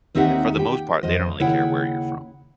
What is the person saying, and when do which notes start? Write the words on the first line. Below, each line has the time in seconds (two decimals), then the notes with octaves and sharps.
for the most part, they don't really care where you're from.
0.15 D#2 C4 D#4 G4 E5 F#5
0.57 G4 G5
1.03 F2 C5 D#5
1.40 D#2 C#3 E4 F#5 G5